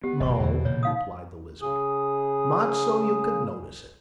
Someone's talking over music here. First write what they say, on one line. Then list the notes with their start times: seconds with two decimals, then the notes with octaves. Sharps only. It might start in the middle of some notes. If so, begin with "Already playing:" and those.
"No," replied the Lizard; "not so you could notice it."
0.04 B3 G4
0.20 F#1 D#2 B2 D#5 C#6
0.40 E2 D3 E3
0.65 A#2 C#3 E3 C#5
0.83 D#4 F5 D#6
1.62 C#3 G#4 D#6